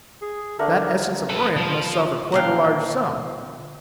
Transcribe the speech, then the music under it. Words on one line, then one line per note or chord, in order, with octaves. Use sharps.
"That Essence of Orient must sell for quite a large sum."
G#4
D3 A3 A#4
A4 B4
F3
A#2 D3 F5 G5 A#5